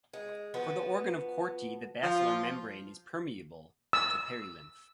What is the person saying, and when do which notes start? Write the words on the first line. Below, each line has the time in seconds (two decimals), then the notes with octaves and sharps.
For the organ of Corti the basilar membrane is permeable to perilymph.
0.13 G#3
0.54 F3 B3 F#4
2.03 F3 F4
3.93 E6